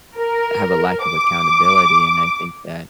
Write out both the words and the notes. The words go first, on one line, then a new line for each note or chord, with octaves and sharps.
have a lack of accountability, and I think that
A#4
D6